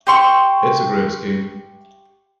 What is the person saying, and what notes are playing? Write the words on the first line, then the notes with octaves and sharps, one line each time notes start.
It's a great scheme.
G4 C6 C#6